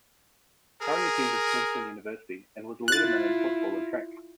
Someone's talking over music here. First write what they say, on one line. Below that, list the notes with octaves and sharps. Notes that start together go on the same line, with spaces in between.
Currie attended Clemson University and was a letterman in football and track.
G#4 A#4
E4 F4 F#6 A6